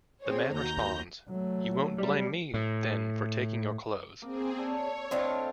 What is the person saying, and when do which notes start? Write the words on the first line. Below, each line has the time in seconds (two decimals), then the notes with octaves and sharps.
The man responds: You won't blame me, then, for taking your clothes.
0.23 C4 G#4 C5 C#5
0.54 D#2 F#4 A#5 G6
1.29 F#3 A3
1.98 G3
2.54 A2
4.22 A#3 C4 G#4
4.58 A4 C#5 D5
5.11 A2 C4 D4 F4 D#5 F5